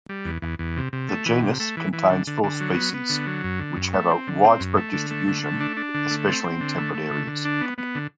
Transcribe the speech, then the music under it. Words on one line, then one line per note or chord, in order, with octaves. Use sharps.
The genus contains four species, which have a widespread distribution, especially in temperate areas.
G3
E2
E2
E2
C3
C3
A3
E3
C3
A3
E3
E3
D3
D3
D3
F#3
B3
B3
D3
F#3
F#2
D3
F#2
A3
C4
D3
C4
F#2
A3
D3
A3
D3
A3
D4
D4
D3
A3
C4
C4
D3
A3
A3
D3
D3
D4
B3
B3
D3